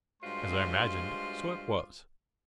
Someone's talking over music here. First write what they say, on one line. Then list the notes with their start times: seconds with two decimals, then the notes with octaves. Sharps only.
As I imagined, so it was.
0.23 G2 G#3 F4 F#4 C5 C6